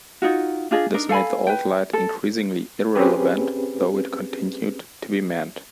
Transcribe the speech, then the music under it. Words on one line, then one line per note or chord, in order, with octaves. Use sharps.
This made the old light increasingly irrelevant, though it continued to be manned.
D#4 F4 F#4
D4 F4 G#4 D#5
D4 D#4 A#4
A4 F5 G#5 B5
B4 G5
A4
C4 C#4 G4 G#4 B4